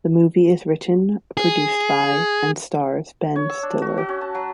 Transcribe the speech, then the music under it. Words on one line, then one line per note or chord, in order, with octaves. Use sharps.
The movie is written, produced by and stars Ben Stiller.
G#4
C#5
E6
D4
F#4
F#4
C#4
A5
F#3